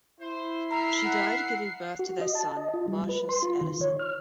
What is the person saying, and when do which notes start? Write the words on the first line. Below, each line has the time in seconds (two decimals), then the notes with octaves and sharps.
She died giving birth to their son Martius Ellison.
0.20 E4 C5
0.71 A#4 E5 A#5 C7
1.04 F#5
1.99 F#4
2.21 D#5
2.35 A5
2.57 D#5
2.74 F4
2.88 G3
3.09 B4
3.29 C6
3.42 F4
3.61 D#3
3.81 C#5
3.99 F6